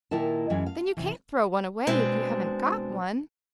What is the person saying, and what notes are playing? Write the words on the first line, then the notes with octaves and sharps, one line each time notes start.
"Then you can't throw one away, if you haven't got one."
A#2 D#3 E4 A#4 E5 A5
F#2 E3 G#3 F5
F5
C3 E3
B2 G#3 C4 D4